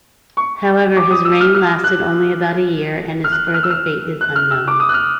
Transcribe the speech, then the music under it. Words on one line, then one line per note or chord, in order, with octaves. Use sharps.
However, his reign lasted only about a year and his further fate is unknown.
C#6
D6
D#6
E6
F6
F6
F#6
F6
F#6
F#6
F6
E6
F6
F#6
F6
E6
D6
D#6
F#6
F6